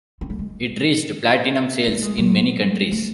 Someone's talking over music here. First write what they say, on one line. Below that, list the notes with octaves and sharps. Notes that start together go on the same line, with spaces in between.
It reached platinum sales in many countries.
C4
A3
G#3
A3
G#3
F#3
C4
A3